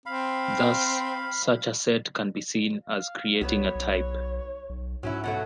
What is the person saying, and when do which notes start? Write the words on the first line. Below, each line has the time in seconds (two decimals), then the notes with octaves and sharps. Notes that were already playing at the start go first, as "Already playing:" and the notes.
Thus, such a set can be seen as creating a type.
0.06 C4 F5 B5
2.84 F5
3.41 C2 F#3 B3 B4 C#5
3.75 B1
4.69 B1
5.03 G#2 F#3 C#4 E4
5.24 B2 F#3 A3 F#5